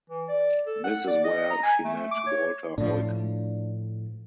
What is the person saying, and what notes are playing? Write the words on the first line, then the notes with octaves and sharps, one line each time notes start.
This is where she met Walter Eucken.
E3
D5
A4
F#5
D5
D#5
A#5
G#5
A3
D6
C#5
A2 F3 D4